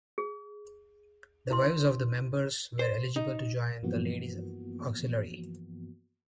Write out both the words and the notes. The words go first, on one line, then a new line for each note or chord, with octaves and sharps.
The wives of the members were eligible to join the Ladies Auxiliary.
G#4
E4 B4 C6
C5
D#4
G2 E3 F3 A#3 B3 F#4